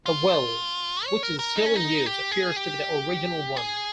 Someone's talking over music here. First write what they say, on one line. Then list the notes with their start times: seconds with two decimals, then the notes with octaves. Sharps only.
The well, which is still in use, appears to be the original one.
0.06 F4
1.06 C#5
1.23 A#4
1.39 A#4
1.55 D#4
1.66 C#4
1.76 D#4
2.06 G4
2.31 G#4
2.56 G4
3.56 G#4